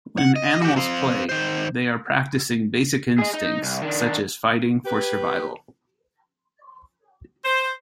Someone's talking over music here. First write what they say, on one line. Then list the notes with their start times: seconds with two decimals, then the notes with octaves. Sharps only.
When animals 'play' they are practising basic instincts, such as fighting, for survival.
0.18 F#5
0.36 D#5
0.62 F#4 G4
0.76 C4 F5
1.29 D#3 C5
3.18 G#4 D#5
3.34 D#4
3.63 C2
3.82 D#3 D4
4.85 G4 B4
7.45 C5